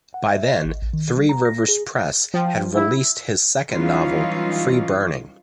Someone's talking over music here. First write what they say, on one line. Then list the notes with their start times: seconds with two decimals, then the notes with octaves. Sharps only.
By then, Three Rivers Press had released his second novel, "Free Burning".
0.14 F#5
0.32 E5
0.43 D#5
0.65 G#1
0.82 A1
0.93 D#3
1.16 G3
1.29 A#5
1.45 A#6
1.68 G#4
2.34 F3 G5
2.73 E4
3.71 E3 F#3 G3 C#4 D#4 F4